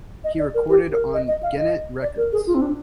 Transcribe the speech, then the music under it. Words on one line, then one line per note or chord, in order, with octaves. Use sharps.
He recorded on Gennett Records.
D#5
D5
A#4
G4
A#4
D#5
D#5
F5
D#5
D5
A#4
G#4
F4
C4
D4